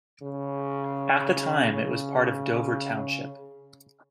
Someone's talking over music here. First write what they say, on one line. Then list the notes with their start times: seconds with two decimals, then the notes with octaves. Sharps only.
At the time, it was part of Dover Township.
0.22 C#3
1.73 C#3